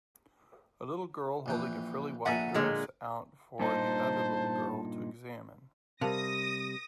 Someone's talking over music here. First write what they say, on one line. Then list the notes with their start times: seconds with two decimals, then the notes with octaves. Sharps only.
A little girl holding a frilly white dress out for the other little girl to examine.
1.46 A#1 E3 G5
2.25 A#1 A4 E5 F#5 G#5 A#5
2.54 A#2 D3 G#3
3.60 G2 A#2 D#4 C5 A5
6.01 C3 G3 A#4 F5 A5 D#6 A#6